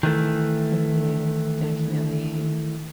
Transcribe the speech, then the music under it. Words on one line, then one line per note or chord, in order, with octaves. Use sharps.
Yes, definitely,
D#3 E3 A3